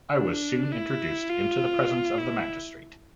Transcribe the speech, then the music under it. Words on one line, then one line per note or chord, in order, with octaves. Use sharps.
I was soon introduced into the presence of the magistrate.
D4
E4
F4
E4